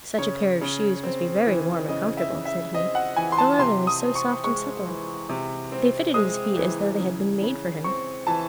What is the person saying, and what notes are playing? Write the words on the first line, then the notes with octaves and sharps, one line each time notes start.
"Such a pair of shoes must be very warm and comfortable," said he; "the leather is so soft and supple." They fitted his feet as though they had been made for him.
C#3 C#5
C#3
C4
E3
C#3 D#5
E5
C#3
E5
C4 D#5
F#5
E3 G#5
C6
A5
C3 C6
D#6
C4
C#6
G#3 C#6
E3
C3
C4
G#3 D#6
E3
C#3
C#3
C4 C#6
E3 A5